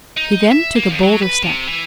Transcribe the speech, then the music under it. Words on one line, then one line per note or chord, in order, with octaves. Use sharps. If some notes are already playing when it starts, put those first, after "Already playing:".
He then took a bolder step.
D#4
E5
A#3
F2
F#3
B4
C3
E3